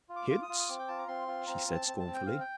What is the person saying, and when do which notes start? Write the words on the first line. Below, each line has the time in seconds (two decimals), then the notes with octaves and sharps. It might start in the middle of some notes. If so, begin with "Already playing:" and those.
"Hints!" she said, scornfully.
0.09 F4
0.16 D6
0.30 F4
0.43 D#6
0.49 F4
0.59 D#6
0.68 C4 D6
0.79 G5
0.88 F4 A5
0.98 A#5
1.08 C4 C6
1.28 F4
1.47 C4 A#5
1.67 C4
1.74 A5
1.87 C4
2.00 A5
2.06 C4
2.14 G5
2.26 C4 F5
2.40 G5